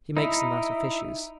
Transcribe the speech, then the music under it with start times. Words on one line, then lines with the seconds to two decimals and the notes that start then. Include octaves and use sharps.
He makes them out of fishes.
0.17 D#4 E4